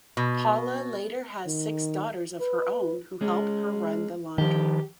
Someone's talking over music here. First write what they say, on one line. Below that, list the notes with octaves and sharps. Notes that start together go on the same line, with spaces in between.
Paula later has six daughters of her own who help her run the laundry.
B2
D#3
B4
G#3 C#4
D#3 F3 G4